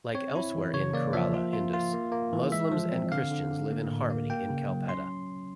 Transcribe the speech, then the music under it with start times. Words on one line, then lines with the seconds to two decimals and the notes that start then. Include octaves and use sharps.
Like elsewhere in Kerala, Hindus, Muslims and Christians live in harmony in Kalpetta.
0.14 C4 C#5
0.35 E4
0.55 E3
0.74 C#3 C#5
0.93 A#3 D5
1.13 F3 E5
1.34 F4
1.53 F4
1.73 F4
1.93 A#3
2.12 A#3
2.33 E3
2.52 G#3 E5
2.71 F3
2.92 C4
3.12 D3 F5
3.31 D3
3.51 D3
3.71 A#3
3.90 A2
4.10 A#3
4.30 A#3 G5
4.50 C#3
4.69 F#3
4.89 C#4 C6